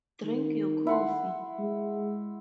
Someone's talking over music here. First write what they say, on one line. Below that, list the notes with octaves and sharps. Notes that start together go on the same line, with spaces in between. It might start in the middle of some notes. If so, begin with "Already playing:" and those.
Drink your coffee.
D#3
E4 F#5 C6
G#3